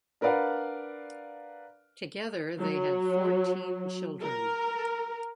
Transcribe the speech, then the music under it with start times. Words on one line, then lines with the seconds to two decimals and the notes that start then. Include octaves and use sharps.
Together they had fourteen children.
0.21 D4 A#4 B4 D5 F5 F#5
2.59 F#3
4.22 A#4